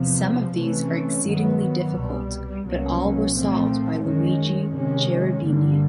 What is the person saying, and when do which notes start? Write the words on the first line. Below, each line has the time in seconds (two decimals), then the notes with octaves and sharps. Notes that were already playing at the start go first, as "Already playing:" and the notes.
Some of these are exceedingly difficult, but all were solved by Luigi Cherubini.
Already playing: E2 C3 F3
0.57 C3 E3 A3 C#4
1.26 G2 D#3 F#3 B3
1.95 C2 B2 G3
2.66 C2 B2 F#3 A#3 C#4
3.36 A#2 F3 A3 C4
4.05 F#2 D#3 G#3 C#4
4.75 C3 D#3 G#3 C#4
5.44 G2 D3 G3 A#3